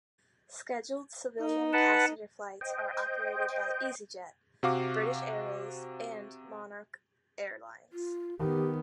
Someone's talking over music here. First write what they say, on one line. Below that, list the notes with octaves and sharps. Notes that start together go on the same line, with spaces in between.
Scheduled civilian passenger flights are operated by EasyJet, British Airways and Monarch Airlines.
D#4
B4 F#5 A5
C5 D#5 G5
C3 F#4 F5 D6
F4
D#3 B3 G4